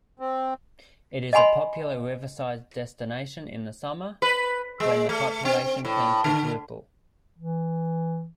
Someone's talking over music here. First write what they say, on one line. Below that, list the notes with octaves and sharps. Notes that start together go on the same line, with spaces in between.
It is a popular riverside destination in the summer, when the population can quadruple.
C4
D#5 F#5 G#5 B5 C6
B4
G#3
A3
C4
A2
D3
E3